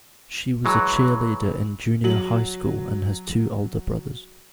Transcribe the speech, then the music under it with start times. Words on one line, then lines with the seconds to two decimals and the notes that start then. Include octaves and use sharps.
She was a cheerleader in junior high school and has two older brothers.
0.65 E3 F#3 G#3
2.04 F#3 F#7